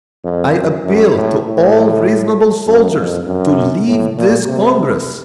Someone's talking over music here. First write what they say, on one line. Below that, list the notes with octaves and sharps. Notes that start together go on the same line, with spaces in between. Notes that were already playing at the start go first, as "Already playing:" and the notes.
"I appeal to all reasonable soldiers to leave this Congress!"
F2
F#2
F#2
A2
A2
F#2
F2
F#2
A2
A#2
C3